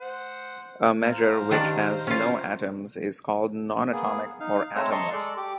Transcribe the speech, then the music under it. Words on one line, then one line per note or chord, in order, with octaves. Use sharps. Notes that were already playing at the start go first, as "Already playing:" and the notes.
A measure which has no atoms is called non-atomic or atomless.
C5 F#5
C5 F5 A#5
D#3 G3 D4
C#4 F4
A#3 B3 G#4
D#4 F5
G#3 A3 C4 C#5 A#5 E6
D#5 A5 A#5 C6 C#6
G#3 A4 D5
G4 D6